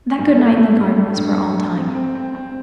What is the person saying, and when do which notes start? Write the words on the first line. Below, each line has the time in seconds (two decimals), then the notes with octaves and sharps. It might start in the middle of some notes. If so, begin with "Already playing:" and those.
That good night in the garden was for all time.
0.19 G2
0.39 A3
0.58 A3
0.78 G2
0.97 A3
1.17 G2
1.37 G2
1.57 G2
1.76 C4
1.95 C4
2.15 C4
2.35 C4